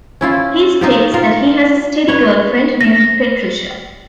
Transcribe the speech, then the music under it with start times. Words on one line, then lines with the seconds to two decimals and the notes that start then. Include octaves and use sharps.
He states that he has a steady girlfriend named Petrusha.
0.21 C#4 E4 F4
0.81 D#4 F4 G4
1.14 F4 A#4
2.08 B4 C#5
2.81 A#6